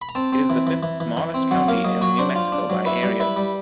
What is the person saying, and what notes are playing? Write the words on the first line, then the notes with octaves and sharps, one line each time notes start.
It is the fifth-smallest county in New Mexico by area.
B5
A#5
C4 A5
C4
E3
E3
E3
E3
E3
C4
F#3 F#5
A#3 F5
F#3 D#5
F#3 C#5
D4 C5
F4
D4
F#3
E4 B4
G3
E4 B4
G3